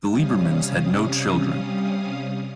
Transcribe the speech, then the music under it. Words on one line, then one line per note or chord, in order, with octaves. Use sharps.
The Liebermans had no children.
C3 G3 C#4 F5 D#6